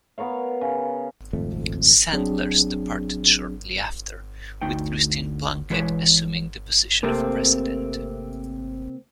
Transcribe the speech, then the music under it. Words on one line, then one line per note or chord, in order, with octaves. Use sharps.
Sanders departed shortly after, with Christine Plunkett assuming the position of president.
B3 A#4 C#5 F5
C#3
D#1 G#1 F2 A3
F#3 C4 D4 G#4
D2 A3 D#4 G5
E3 G#3 B4 C#5
C3 A3 A#3 C4